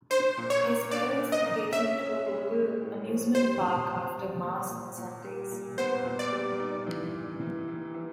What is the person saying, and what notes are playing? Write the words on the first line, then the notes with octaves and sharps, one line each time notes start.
His parents would take him to a local amusement park after Mass on Sundays.
D4 C5
A#2
C#5
A#3
D4 D5
D4
D#5
A#3
C#4 E5
C#4
G#3
G#3
A2
F3
G3 C5
C4
C4
G3
A#2
A#2
A#2
G3
A#2
B3 C5
A#2
D5
G3
D#4
E3
E3
E3
E3
E3